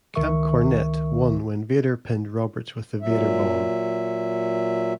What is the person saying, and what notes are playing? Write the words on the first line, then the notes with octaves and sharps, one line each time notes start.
Camp Cornette won when Vader pinned Roberts with the Vader Bomb.
C#2 D#3 A#4 E5 C#6
A#2 F#3 E5